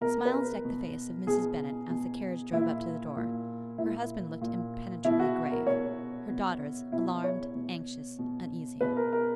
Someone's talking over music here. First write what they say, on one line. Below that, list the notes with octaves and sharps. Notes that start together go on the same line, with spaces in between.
Smiles decked the face of Mrs. Bennet as the carriage drove up to the door; her husband looked impenetrably grave; her daughters, alarmed, anxious, uneasy.
B2 A#4
B4
A#4
B2
B2 G#4
B2
A#2 E4
A#2
A#2 E4
A#2
B2 E4
F#4
A#4
B2 C#5
B2
B2 E4
C#5
B2
B2
B2 B4
A#4
A#4